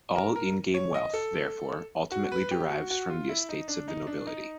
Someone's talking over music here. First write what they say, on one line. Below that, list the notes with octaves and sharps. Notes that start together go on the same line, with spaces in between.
All in-game wealth, therefore, ultimately derives from the estates of the nobility.
A#4
A#4
C#5
D#5
A4
F#4
B4
G4
F#4
F#4
F4
E4
D#4
D4
D#4
D4
D#4